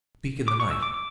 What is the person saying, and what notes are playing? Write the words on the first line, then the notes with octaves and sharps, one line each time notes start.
Speak in the night.
D6
C#6
E6
D6
D6